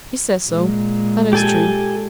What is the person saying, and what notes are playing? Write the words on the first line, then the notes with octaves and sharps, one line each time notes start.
"He says so, that is true."
A#2 G#3
G4 A4 G#5